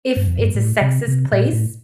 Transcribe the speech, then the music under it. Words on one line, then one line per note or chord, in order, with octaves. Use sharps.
if it's a sexist place
G2
F2
G2
A2
C3
C3
A#2
A2